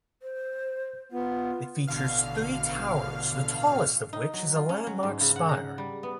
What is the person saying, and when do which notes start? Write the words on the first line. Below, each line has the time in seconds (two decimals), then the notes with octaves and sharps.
It features three towers, the tallest of which is a landmark spire.
0.22 C5
1.12 B3 F4
1.88 A1 B2 D3 F5 F6
4.13 D#4
4.34 F#3
4.56 F4
4.69 C#4
4.87 F#3
5.03 G#2
5.21 C#3
5.36 F#5
5.49 A#5
5.78 G3
6.03 B3